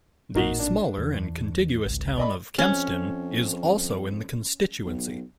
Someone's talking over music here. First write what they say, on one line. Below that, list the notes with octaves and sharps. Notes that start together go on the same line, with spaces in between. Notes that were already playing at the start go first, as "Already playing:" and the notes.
The smaller and contiguous town of Kempston is also in the constituency.
A1 A#2 A#3 D#4 F#4
D4
E2
G#1 C#2
D5 D#5 B5
F2 C#4
B1